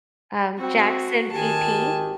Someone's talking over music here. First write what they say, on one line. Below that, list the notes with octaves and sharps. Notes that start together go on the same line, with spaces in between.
um, Jackson VP.
C4 F#4
G#1 D#3 G4 G#5 A5